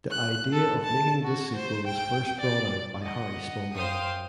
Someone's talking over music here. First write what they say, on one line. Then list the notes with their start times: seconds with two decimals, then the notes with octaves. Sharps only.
The idea of making this sequel was first brought out by Harry Spalding.
0.10 F#6
0.52 A4
0.84 A5
1.23 F#4
1.56 C5
1.87 G5
2.40 D5
3.03 D#5 F#5
3.75 F#2 C5 F5 G5 D#6